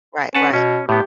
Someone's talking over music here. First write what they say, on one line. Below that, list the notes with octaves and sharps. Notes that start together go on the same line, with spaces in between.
Right, right.
C#4 B4 F#5 A5
B2 C#4
A2 B3 G4